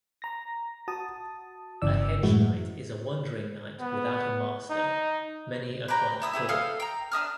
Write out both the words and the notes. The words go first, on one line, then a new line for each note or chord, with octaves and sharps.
A Hedge Knight is a wandering knight without a master, many are quite poor.
A#5 A#6
F#4 A5 D#6
G1 C#3 E3 D5 E6
F#2 A2 E3 G#3 E4 F#4
B3
D#4
B4 D5 G5 A#5
E4 D#6 E6
E4 G4 G#4
A4 F5 D#6 F6
G5 A#5
D4 E5 D#6 F6